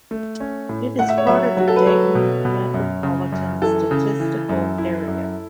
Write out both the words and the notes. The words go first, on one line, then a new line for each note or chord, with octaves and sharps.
It is part of the Dayton Metropolitan Statistical Area.
A3
C#4
A2
A3 F#5
E5
C#5
F#3 E5
F#3 F#4
A4
B4
F#3 C#5
B2
B2
F#2
C#3
F#2
E3 A4
C#3
E3
F#2
E4
F#2